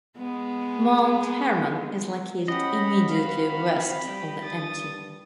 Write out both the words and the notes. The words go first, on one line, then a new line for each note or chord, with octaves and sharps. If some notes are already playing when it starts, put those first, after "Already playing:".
Mount Hermann is located immediately west of the Mt.
G#3 B3
C#4 G4 D#5 F#5 B5
C4 F#4 F5
G3 G4
G2 D#6 A6